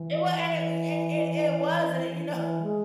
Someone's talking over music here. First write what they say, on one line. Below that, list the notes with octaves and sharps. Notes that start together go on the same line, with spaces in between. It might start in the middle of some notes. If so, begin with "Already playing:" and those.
It w an it we and and and it was, and it you know,
Already playing: E3
E3
E3
G#3